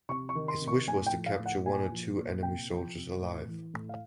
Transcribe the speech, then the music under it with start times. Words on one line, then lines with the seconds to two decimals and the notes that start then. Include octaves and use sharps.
His wish was to capture one or two enemy soldiers alive.
0.09 C3 C#6
0.29 C#6
0.35 D#3
0.48 C6
0.62 C3
0.68 C#6
0.87 A2 G#5
1.06 G5
1.13 F3
1.26 F5
1.39 A2
1.46 F#5
1.65 A#2 G#5
1.92 F3
2.18 A#2
2.43 C3 G5
2.70 F3
2.95 C3
3.21 A2
3.47 E3
3.74 A2
3.89 F5